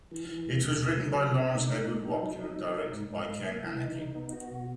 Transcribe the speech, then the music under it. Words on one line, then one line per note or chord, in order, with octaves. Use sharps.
It was written by Lawrence Edward Watkin and directed by Ken Annakin.
E3
E3
D#2
D#2
C#3
F#3
C#3
C#3
D#4
D#4
A#2
D#4
F#3
D#4
F#3
D#4
G#2
G#2
G#2
A#3
E3
D#4
D#4
B3
F#4
B2